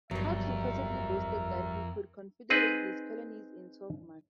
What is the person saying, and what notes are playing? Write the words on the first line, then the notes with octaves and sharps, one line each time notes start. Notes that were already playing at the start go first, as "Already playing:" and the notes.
Parkes reportedly boasted that he "could confederate these colonies in twelve months".
G1 F2 F#3 G3 A#4 E5
C4 D#4 G#4 B4